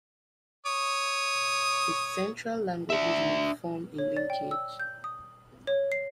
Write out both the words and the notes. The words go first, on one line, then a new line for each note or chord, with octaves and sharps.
The Central languages may form a linkage.
C#5 D#6
D4 E5
C#5
D5
G5
E6
G6
D#6
C#5
C7